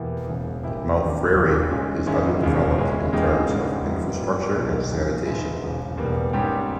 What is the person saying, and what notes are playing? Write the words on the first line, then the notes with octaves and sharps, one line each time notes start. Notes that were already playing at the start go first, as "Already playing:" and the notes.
Mount Frere is underdeveloped in terms of infrastructure and sanitation.
Already playing: E2 B2 A#3 E4 G4
E1 E2 C#3
A#1 A#2 A#3 E4 G4
D#2 D#3 G3 C#4 G4
E1 D#2 C#3 G3
A#2 G#3 C#4
G#2 D#3 G#3 C#4 E4
E1 D#2 C#3
A#2 G#3 C#4 E4
E2 C#3 G#3 D#4 G4
G#2 G3 C#4
G#2 G3 B3 E4
A#2 G3 A#3
B1 A#2 G3 A#3 D#4
E2 C#3 E3
G#2 E3 G#3 B3 E4
E1 E2 C#3
E1 E2 B2 G3 A#3
G#2 G3 A#3 C#4 G4